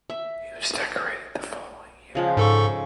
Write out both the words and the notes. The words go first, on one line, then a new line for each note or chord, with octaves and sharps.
He was decorated the following year.
E5
C#3 F3 G#3
G#2 A4 C#6